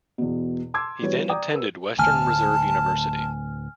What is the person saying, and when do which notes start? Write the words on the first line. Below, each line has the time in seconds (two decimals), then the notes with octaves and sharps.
He then attended Western Reserve University.
0.18 E2 B2
0.74 A5 C6 D6 E6 G#6
1.02 E3 G3 B3 F#4 B4 C#5
1.29 D5 G5 A#5 D6 D#6
1.52 A#4 B4 E6
1.99 D1 G#1 D2 G#5 A5 F6